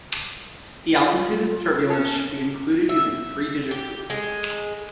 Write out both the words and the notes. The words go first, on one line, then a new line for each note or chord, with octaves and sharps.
The altitude of the turbulence should be included using three-digit groups.
F4
F#2 C#4 A5
E5
G4
G#3